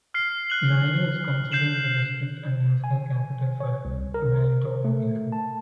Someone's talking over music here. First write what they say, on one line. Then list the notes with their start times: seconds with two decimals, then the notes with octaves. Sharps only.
Malie is considered the district and national capital for the Malietoa clan.
0.14 F6 C7
0.50 F#6 F#7
1.52 G6 C7 E7 F#7
2.84 G#5
3.60 C#5
3.85 C2
4.14 A#4
4.85 A3
5.32 A5